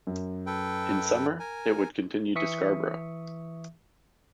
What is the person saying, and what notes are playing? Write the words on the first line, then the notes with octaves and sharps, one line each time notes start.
In summer it would continue to Scarborough.
F#2
A4 B4 G5
A#4 G#5
E3 E5 C#6 D#6 B6 C#7